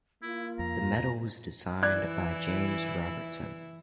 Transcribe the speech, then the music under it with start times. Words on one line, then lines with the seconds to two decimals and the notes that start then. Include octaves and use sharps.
The medal was designed by James Robertson.
0.23 A#3 E4 F4
0.59 F2 A#5
1.82 E3 E4 D5 F#6 G#6